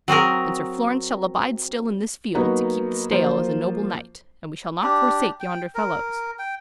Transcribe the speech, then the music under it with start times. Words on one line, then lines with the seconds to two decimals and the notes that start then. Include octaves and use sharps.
And Sir Florence shall abide still in this field to keep the stale as a noble knight, and we shall not forsake yonder fellows.
0.08 F#3 C4 G#4 A#4
2.35 F#3 A#3 B3 D#4 F#4
3.10 F3 F#3 A#3 F4 C5
4.83 D4 G4
5.40 G5
5.75 A#4
6.39 G5